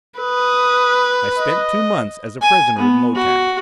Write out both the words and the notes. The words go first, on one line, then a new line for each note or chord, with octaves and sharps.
I spent two months as a prisoner in Lo-Tan.
B4 D#6
D#5
G#5
B3
F#4